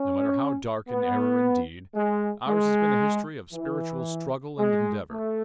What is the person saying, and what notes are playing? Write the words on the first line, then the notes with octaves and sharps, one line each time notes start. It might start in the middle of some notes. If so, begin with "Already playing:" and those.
No matter how dark in error and deed, ours has been a history of spiritual struggle and endeavour.
Already playing: C#4
B3
G#3
G#3
E3
G#3
A3